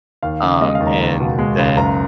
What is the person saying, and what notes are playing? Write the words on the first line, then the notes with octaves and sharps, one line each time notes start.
um, and the
D#2 F5
C#3
G#3 D#5
F5
D#2
A#5
C#2
B2
G#3
C#2
F#1 A#5